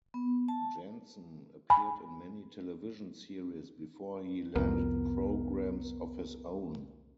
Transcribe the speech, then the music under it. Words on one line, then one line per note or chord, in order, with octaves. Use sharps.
Janssen appeared in many television series before he landed programs of his own.
B3
A5
G#5 B5
C2 F2 B3 A#4